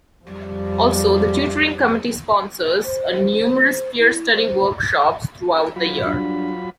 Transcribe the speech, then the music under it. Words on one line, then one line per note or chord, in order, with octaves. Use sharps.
Also, The Tutoring Committee sponsors numerous Peer Study Workshops throughout the year.
F2 G3
C5
E4
C5
F#3 F4 B5
G2